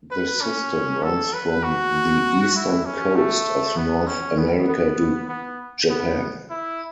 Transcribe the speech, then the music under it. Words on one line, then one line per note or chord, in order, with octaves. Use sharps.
The system runs from the eastern coast of North America to Japan.
B4
C#4
A4
B4
F#4
E4
C#4
A3
B3
C#4
B3
B3
B3
B3
E4